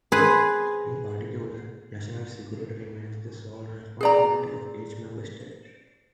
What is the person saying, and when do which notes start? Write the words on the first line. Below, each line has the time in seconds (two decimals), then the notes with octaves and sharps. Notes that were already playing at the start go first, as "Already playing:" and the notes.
In particular, national security remains the sole responsibility of each Member State.
0.12 G#4 B4 C5
4.01 G#4 D5 A#5